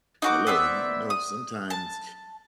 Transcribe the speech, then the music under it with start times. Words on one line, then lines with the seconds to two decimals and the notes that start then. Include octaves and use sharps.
Hello, you know, sometimes,
0.22 D#4 F#4 D6
0.47 B3 C4 D5 E5
1.10 D#6
1.70 A5